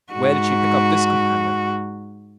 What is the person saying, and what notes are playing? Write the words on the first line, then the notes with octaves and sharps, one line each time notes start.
Where did she pick up this companion?
G#2 F#4